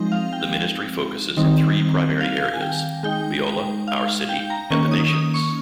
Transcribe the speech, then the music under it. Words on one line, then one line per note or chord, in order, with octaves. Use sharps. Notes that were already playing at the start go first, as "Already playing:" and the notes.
The ministry focuses in three primary areas: Biola, our city, and the Nations.
Already playing: F3 G#3 C4 D#4
F5
G5
D#3 G3 C4 D#4
F5
G#5
G5
G#3 D#4 G5
F5
F5
G5
A#5
D#3 A#3 C#4 C#6
D#6
D#6
C#6